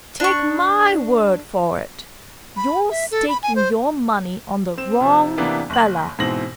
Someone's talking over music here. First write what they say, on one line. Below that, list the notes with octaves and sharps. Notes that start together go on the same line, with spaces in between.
Take my word for it, you're staking your money on the wrong fellah.'
D4 C#6
B5
E5
A4
B5
G#5
C5
C4 E7
C3 F3
C3 E3 A#3 B3 D4
F#1 F#7
G#2 B2 E3 C4 A#6 F#7